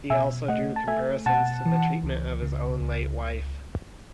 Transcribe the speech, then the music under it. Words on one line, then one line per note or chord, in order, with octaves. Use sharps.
He also drew comparisons to the treatment of his own late wife.
B2 E5 G#5
A3 D#5 F#5
A5
A3 E5 G#5
B2 F#5 A5
E3
C#2
C#3
C#2